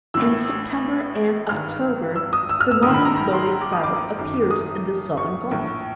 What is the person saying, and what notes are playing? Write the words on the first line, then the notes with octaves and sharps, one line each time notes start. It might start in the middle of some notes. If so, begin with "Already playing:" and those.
In September and October the Morning Glory cloud appears in the Southern Gulf.
A1 A2 E3 E6
G#1 G2 D#3 F6
E6
D#6
E6
F6
E6
A#1 G#2 D#3 D#6
B5
A#5
B5
C6
D6
D#6
D6
F#1 F#2 D#3
D#6
C#6
A#1 A2 E3